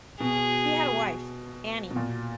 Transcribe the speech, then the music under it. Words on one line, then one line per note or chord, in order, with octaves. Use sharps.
He had a wife, Annie.
B2 G#4
B2
A#2